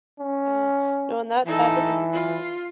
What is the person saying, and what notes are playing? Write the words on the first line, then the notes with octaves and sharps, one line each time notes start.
Yeah. No, and that that is even harder.
C#4
E3 D#4 A4
F4